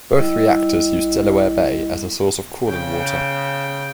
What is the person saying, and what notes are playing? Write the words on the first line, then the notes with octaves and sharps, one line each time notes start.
Both reactors use Delaware Bay as a source of cooling water.
G3 E4 D#5
C#3 G5